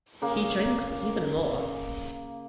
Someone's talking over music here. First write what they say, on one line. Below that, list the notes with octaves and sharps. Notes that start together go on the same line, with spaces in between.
He drinks even more.
C#3 A#3